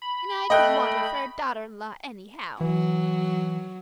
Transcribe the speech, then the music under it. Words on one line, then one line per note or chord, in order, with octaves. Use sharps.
And I didn't want her for a daughter-in-law anyhow.
B5
A3 D#5 G5 F#6
E3 F#3